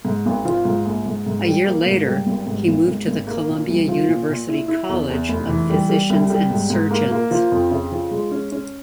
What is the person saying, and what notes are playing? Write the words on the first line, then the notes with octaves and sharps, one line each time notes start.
A year later he moved to the Columbia University College of Physicians and Surgeons.
G#2
G#1
F3
G#2
A#1
G#2
G#2
G3
A#3
G#2
G3
G#1
G#2
G#1
G#2
G#1
A#3
A#2
C2
F3
A#2
A#2
E4
E4
E2
E2
F1
E3
G3
G3
C2
G3
G#2
G#2
A#3
A#3
F3
F2
C#3
F3
G#3
C#4
C#4